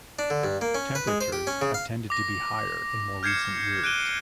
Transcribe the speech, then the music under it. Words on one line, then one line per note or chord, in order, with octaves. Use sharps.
Temperatures have tended to be higher in more recent years.
D4
D3
G2
A#3
C#4
B4
G#3
C5
G4
C#4
C#3
F5
D6 A#6
F6 G6 G#6 C7 C#7 E7
F#6 D7 D#7 G7